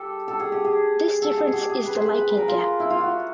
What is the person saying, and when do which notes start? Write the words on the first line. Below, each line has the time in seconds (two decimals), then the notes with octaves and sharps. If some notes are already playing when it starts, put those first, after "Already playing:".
This difference is the liking gap.
Already playing: G4 A4
0.28 A4
0.40 G#4
0.52 G4
0.65 G#4
1.22 A4
1.37 G#4
1.53 G4
1.69 G#4
1.85 B4
1.95 C5
2.06 B4
2.17 B4
2.27 B4
2.37 A#4
2.48 F4
2.80 E4
2.90 F4
3.01 F#4